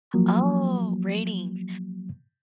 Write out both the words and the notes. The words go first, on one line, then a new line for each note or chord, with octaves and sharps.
Oh, ratings.
F3 F#3 A#3